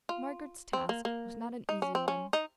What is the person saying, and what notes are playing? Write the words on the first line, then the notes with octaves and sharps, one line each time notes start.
Margaret's task was not an easy one.
F4
C4
A#3
A#3
D#4
C#4
C4
C#4
D#4